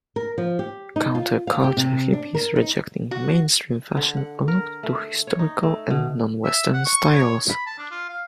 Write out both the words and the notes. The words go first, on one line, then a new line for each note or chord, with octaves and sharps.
Counterculture Hippies rejecting mainstream fashion looked to historical and non-Western styles.
A#4
F3
G4
D#4
F4
F5
G4
C3
D4
A#4
D#4
F#4
D3
F#5
A#4
A3
C#5
D#4
A3
B2
E5
F#5
C#6
C#5
B5
A5
D4
F4
F5